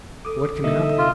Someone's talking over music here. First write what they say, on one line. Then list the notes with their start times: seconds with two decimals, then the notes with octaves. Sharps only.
"What can happen?"
0.25 A4 D6 D#6
0.64 D3 G3 A#3 D#4 D#5 E5
0.98 C3 F4